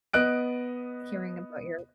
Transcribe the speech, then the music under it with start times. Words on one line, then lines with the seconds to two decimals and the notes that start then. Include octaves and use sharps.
hearing about your
0.14 B3 D#5 F#6 D7